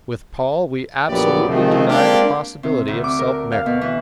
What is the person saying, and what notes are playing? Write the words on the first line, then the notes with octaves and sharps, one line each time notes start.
With Paul we absolutely deny the possibility of self merit.
A#1 F#2 B3 G4 D5
C3 D#3 F3 G#3 A3 C4
G#3 A#3 C4 D4 F4 G4
C3
D2
D6
A#4
F5
B2
E3